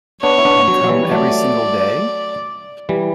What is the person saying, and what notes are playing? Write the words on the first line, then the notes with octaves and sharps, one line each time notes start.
And come every single day?
B3 D4 C#5
E4
B3 D4
F#3
F#3
E3 G3
F#3 A3 D5
E3 G3